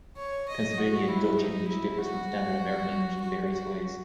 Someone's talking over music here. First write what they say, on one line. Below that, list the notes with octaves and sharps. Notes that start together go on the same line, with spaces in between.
Pennsylvania Dutch English differs from standard American English in various ways.
C#5
D#5
F#4
E4
D#4
E4
F#4
F#4
F#4